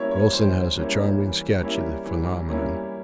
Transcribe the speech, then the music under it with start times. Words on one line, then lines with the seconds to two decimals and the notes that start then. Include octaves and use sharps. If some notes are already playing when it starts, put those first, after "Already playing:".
Wilson has a charming sketch of the phenomenon.
Already playing: G3 A#3 C#4 E4 C#5
0.11 C#5
0.32 E3 C5
0.76 G3 A#3 C#4 E4
1.18 E3
1.61 G3 A#3 C#4 E4
2.05 E3
2.47 G3 A#3 C#4 E4